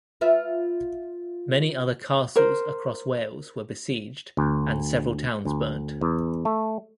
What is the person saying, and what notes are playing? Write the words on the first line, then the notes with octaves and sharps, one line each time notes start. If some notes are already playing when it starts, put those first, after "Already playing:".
Many other castles across Wales were besieged and several towns burnt.
F4 B4 E5
A#4 C5
D2
D2
E2
A3